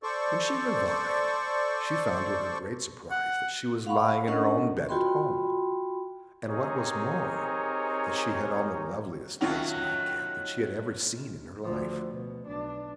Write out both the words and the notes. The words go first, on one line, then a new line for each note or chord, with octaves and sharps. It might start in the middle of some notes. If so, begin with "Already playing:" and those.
When she revived she found to her great surprise that she was lying in her own bed at home, and, what was more, that she had on the loveliest lace night cap that she had ever seen in her life.
A4 C5 D5 C#6
F#5
F5 F#5 B5 C#6
C#4 D4 A#4 D#5 F#5 C#6
F4 F#4 G5 B5 C6
C4 D#4 G4 G#4 A#4 C#5
A2 D#3 F#3 C#4 F4
D2 F3
B2
B1 D4